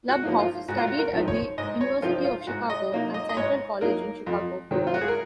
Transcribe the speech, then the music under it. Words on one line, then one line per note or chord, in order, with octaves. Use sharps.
Luboff studied at the University of Chicago and Central College in Chicago.
F#4
F3 A#3 D#4
F4
G#2 F#4
F4
F#4
A#4
F3 C4 D#4
C#5
G#2 D#5
C#5
F3 C4 D#4 F4
F4
G#2 F#4
D#5
F#3 A#3 D#4
D#5
D#5
G#2 C#5
F#3 A#3 D#4 A#4
F2
D#3 F#3 C4
F4
F#4
G#4
A#4